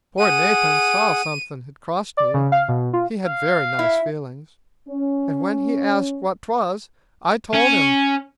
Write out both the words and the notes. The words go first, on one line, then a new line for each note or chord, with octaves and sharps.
Poor Nathan saw somethin' had crossed me,--he had very nice feelings,--and when he asked what 'twas, I told him.
G#4 F#5 D#7
D5
C#3
F5
B2
F4
F5
E4
C#4
C#4